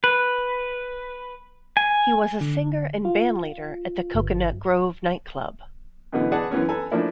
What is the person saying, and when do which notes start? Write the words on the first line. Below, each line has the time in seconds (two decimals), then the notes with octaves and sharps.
He was a singer and bandleader at the Cocoanut Grove night club.
0.04 B4
1.77 G#5
2.41 D3
3.05 F4
4.14 G1
6.12 F#2 B2 D3 E3 B3
6.32 G#4 B4 D5 F#5 A5
6.51 F#2 E3 B3 C#4
6.68 A4 B4 G#5 A#5
6.92 F3 A3 A#3 D4 E4